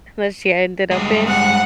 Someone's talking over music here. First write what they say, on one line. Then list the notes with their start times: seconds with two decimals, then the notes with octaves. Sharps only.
that she ended up in
0.91 G2 G#3
1.28 F#5